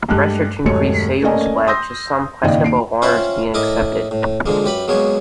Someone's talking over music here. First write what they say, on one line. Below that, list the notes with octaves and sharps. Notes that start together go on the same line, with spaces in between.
Pressure to increase sales led to some questionable orders being accepted.
G2 G#3 A3 G4 F#6
D#1 F#2 G#3 A3 C#5 C#7
A3 A#3 C#4 D5 D#5 G#5
C6 D#6 E6 G6 A#6
G#1 A#2 C#3 D5 D#5 G5
D#2 C7 D7
C#4 F4 C5 E5 F#5 G5
A2 E4 A4 A#4 D#5 D6
A2
D3 F3 G#3 A#3
F#2 G4 B4 B5
F#3 G#3 A#3 B3 C#5